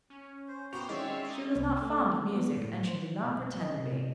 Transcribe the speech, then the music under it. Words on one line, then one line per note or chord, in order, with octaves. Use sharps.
She was not fond of music, and she did not pretend to be.
C#4
C5
A#3 B3 F#4 C5 G5 C#6 F7
D#3 G#3 C4 C#4 C#5 D5 E5 F5
D#4 D#5
C2
A3
B3
A2
C5
B2
D#5
C3